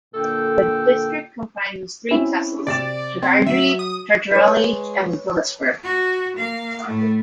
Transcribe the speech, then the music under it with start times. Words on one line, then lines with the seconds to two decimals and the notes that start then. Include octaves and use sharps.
The district comprises three tehsils: Jagadhri, Chhachhrauli and Bilaspur.
0.15 A#2 D3 A4 G5
2.10 C4 C#4 E4
2.67 C3 D5 A6 E7
3.22 C4
3.46 F#3 E5
3.79 D#6
4.31 G#3 B4 C#5
5.83 F#4
6.36 A#3 F5
6.82 A2 A3